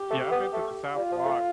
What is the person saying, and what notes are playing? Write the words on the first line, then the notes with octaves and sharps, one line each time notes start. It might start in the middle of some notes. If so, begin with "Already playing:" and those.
Yeah, I've been to the South a lot.
Already playing: G4
A3
B3
A3
G3 F4
F3
A3